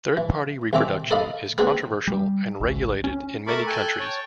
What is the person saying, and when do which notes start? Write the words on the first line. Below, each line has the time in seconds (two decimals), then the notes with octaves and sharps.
Third party reproduction is controversial and regulated in many countries.
0.17 E3
0.73 C2 D#3 C4 E5 A#5 D6
1.11 A4 A#4 D5 D#5 F5 B5
1.58 B3 C4 D4 G#4 B4 G#5
2.07 G3
2.60 G#1 C#2
3.04 C#4
3.47 A3 A#4 A5 B5 C#6 D6
3.67 A4 G5 G#5 F#6
4.00 C#5 G5 A5